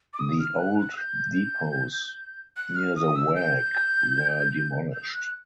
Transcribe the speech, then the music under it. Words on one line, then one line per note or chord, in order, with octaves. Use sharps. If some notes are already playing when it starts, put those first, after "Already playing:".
The old depots near the Waag were demolished.
D6
D#6
F6
F#6
F#6
G6
F#6
F6
D#6
E6
G6
G6
F#6